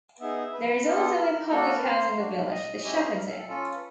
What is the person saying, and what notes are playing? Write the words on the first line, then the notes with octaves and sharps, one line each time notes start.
There is also a public house in the village, the Shepherds Inn.
B3 D#4 G#4 E5
E5
B4
B3 D4 F4 A4 A#4
B4
B4
A#4
A#3 D4 F#4 A4
A#4
B4
C5
A#3 D4 F#4
D#5
A3 C#4 E4 G4 D#5
C5
B4
A#4
A4
A4
C#4 F4 A4
B4